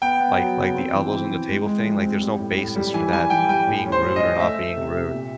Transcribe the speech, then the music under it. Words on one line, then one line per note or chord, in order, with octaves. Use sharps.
like like, the elbows on the table thing, like, there's no basis for that being rude or not being rude.
B3 G5
B3
F#3
C#3
C4
E3
E3
E3
G#3
G#3
F3
C4
G3
A2
A2
G3
E3 G#5
G3 G#5
E3 G5
G3 G5
A2
C#4
C5
C#4
D#5
C#4
A3 E5
A3
C3
C3
A#2